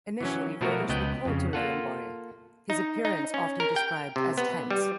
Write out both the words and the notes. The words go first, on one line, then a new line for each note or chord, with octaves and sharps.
Initially, voters were cold to Leijonborg, his appearance often described as tense.
E3 F#3 C#4
B2 F3 F#3 A3 F#4 A#4
C#2 B3 D#5 F#5 G5
F2 C#3
A#3 F4 A4 F#5
D#4
D#4
C#4
A#4
G5
C3
B3
G3